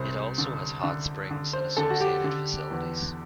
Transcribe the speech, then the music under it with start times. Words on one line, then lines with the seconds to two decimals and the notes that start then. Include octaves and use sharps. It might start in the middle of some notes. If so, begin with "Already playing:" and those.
It also has hot springs and associated facilities.
Already playing: C2 C5
0.38 D3
0.84 D3
1.31 D3
1.53 C5
1.77 D3 A4
1.90 F#4
2.01 G4
2.24 D3
2.71 E2